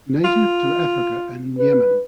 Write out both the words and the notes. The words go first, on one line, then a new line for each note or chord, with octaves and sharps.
Native to Africa and Yemen.
F4
B4